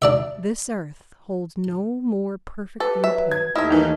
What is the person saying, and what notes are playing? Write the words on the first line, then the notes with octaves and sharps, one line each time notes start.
This earth holds no more perfect view-point.
D4 D5 E5
G4 A4 B4
F#3 E5
G#6
D#2 A3 D#4 E4 D#5 E5 F6
D#3 E3